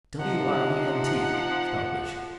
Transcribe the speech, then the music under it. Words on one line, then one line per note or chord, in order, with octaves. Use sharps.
"W-r-e-n-t!" spelled Lucian.
C3 F3 D#4 F#5